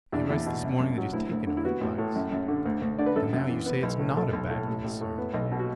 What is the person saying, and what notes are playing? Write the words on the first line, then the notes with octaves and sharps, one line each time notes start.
He writes this morning that he's taken our advice, and now you say it's not a bad concern.
E2 D4
E2
B2
F#2
F#2
F#3
D2 E4
D2
D3
E4
B3 F#4
A1
A2
F#2
F#2
D3
D2
D2
D3 D5
B4
F#2 A4
F#2
E3
B3
B1
A2
B1 A4
B1
A2
A1
A1
A2
B3
B1
B2
F#4